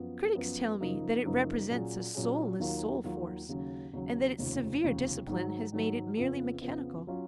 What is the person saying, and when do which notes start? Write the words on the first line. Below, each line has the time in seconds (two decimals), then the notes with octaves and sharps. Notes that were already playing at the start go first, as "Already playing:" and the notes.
Critics tell me that it represents a soulless soul-force and that its severe discipline has made it merely mechanical.
Already playing: F#2 F3 B3
0.35 F#2 F3 B3
0.80 F#1 F#2 F3 A#3 D#4
1.25 F#1 F#2 F3 A#3 D#4
1.70 A#2 F#3 C#4 G#4
2.15 A#2 F#3 C#4 G#4
2.60 D#2 D#3 F#3 A#3 F4
3.04 D#2 D#3 F#3 A#3 F4
3.49 D#2 C#3 F#3
3.93 D#2 C#3 F#3
4.38 F1 D#2 C#3 F3
4.83 F1 D#2 C#3 F3
5.27 G#2 D#3 F#3
5.72 G#2 D#3 F#3
6.17 F2 C#3 F3 B3
6.61 F2 C#3 F3 B3
7.07 F#3 C#4 F4